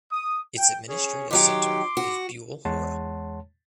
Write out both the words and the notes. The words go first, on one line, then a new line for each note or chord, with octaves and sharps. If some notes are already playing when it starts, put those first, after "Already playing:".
Its administrative center is Bule Hora.
D#6
G5
C#4 G#4 C#5
D#3 F#3 G4 C6 D6
F#4
E2 G#3 C#5 F#5 A5 C6